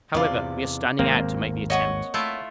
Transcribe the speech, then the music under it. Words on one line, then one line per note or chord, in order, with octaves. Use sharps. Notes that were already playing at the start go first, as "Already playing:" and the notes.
However, we are standing out to make the attempt.
E2 C3 F4 D5
G#1 D#2 A#3 C4
C#5 D#5 F#5 C#6
A3 E4 F4